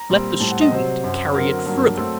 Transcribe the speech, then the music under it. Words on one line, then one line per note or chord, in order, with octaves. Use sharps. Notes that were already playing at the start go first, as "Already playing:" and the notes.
Let the student carry it further.
Already playing: A#5
A#2 G3 C4
A2 G3 C4 A5
F#5
D#5
C3 F#3 C4 C5
F#2 F#3 C4
D3 F#3 C4 A#4
G2 F#3 A#3
F#3 A3 C4 A4